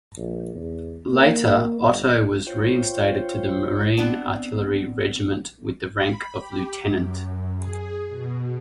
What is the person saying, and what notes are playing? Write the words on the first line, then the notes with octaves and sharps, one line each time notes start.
Later Otto was reinstated to the Marine Artillery Regiment with the rank of lieutenant.
A#1
E2
A#3
G1
F4 C5 C#5 G5
B3 C4 D4 F#5 A5
B5
G4
F#2
G#4
B2